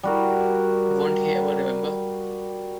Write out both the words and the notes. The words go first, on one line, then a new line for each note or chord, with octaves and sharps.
Won't he ever remember?
G3 F#4 A#4